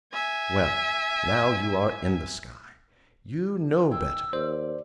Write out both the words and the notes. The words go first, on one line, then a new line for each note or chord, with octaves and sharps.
Well, now you are in the sky, you know better.
E5 G#5
D#3 G5 G#5 E6
D#2 C5 D5